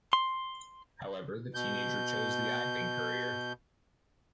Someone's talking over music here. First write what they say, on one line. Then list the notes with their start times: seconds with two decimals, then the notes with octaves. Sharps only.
However, the teenager chose the acting career.
0.13 C6
1.54 B2 G6